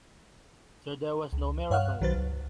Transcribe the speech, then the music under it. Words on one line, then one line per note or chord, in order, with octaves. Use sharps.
So there was no miracle?
C#2
G2 C#5 F5 F#5 F6 F#6
B1 D#3 F#3 B4 C5 A6
C#2